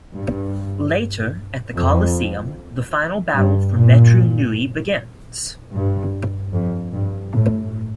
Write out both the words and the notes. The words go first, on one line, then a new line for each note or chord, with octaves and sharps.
Later, at the Coliseum, the final battle for Metru Nui begins.
G2
F2
G2
A#2
G2
F2
G2
A2